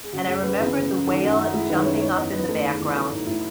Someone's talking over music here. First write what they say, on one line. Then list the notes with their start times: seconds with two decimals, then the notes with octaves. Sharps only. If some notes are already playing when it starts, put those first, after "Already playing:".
and I remember the whale jumping up in the background
0.03 G#4
0.13 C#3 F#4
0.28 F#2 G#4
0.43 F#2 B4
0.60 E3 G#4
0.75 C#3
0.90 F#2
1.07 D#3 A4
1.22 F#2 F#4
1.38 F#2 D#4
1.53 G#3 E4
1.69 D#3 B4
1.85 F#2 C#5
2.00 D#3 C#5
2.17 E2 D#5
2.33 E2 B4
2.48 A3 A4
2.64 D#3
2.72 G#4
2.80 E2
2.96 F#3 A4
3.11 A2 D#4
3.26 A2 E4